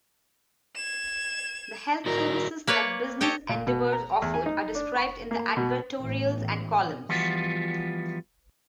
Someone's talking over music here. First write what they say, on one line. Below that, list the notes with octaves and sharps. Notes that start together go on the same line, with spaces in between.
The health services that business endeavors offered are described in the advertorials and columns.
G#6 E7
E4 F#4 A#4 D5
A#3 B4 C#5 D5
G4 A4 C#5 D#5 G5
A#2
B2
A#5
E2
G#5
D#4
D4
C#6
A#3
B2
A1 A2 E3 B3
E3 F3 G3 B3 F4 F#4